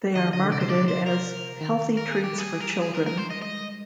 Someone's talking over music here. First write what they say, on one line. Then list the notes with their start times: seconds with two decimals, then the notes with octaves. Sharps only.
They are marketed as healthy treats for children.
0.15 D#3 D#5
0.33 D3 D#5
0.44 D3
0.52 C3 D5
0.60 C5
0.69 D5
0.88 C5
1.06 A#4
1.61 D#3
1.97 A#4
2.10 G#4
2.24 G4
2.33 G3 G#4
2.60 A#4
2.69 G#4
2.82 G#4
2.94 A#4
3.06 A#4
3.17 C5
3.30 D#5
3.42 G#3 D#5